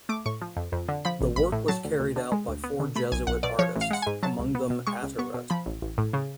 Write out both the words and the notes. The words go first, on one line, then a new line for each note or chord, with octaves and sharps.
The work was carried out by four Jesuit artists, among them Attiret.
A3 D6
A2 C#6
F3
F2
F2
D3
F3 B5
A1
A1 B5
A2
F#3 A5
D2
D2
D3
G#3
D2
B3
D3
A3 B5
B1 G#5
B1 F#5
B2 D5
F3 C#5
A1
F5
G#3 F#5
G#2 G#5
F#3 A5
C#2
B3
B2
G#3 C#6
C#2
B3 C#6
B2
F3 B5
A1
A1
A2
C#3